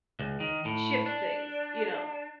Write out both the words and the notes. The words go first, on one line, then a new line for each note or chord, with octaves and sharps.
shift things, you know,
C#2
D#3
A2
D4